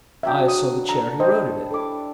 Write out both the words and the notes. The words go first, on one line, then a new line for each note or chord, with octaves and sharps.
I saw the chair he wrote it in.
C#3 F#3 D4 E5 G5
D#6
D4 A4 A#5
G3 C5 D#5
D4 E4 A4 D6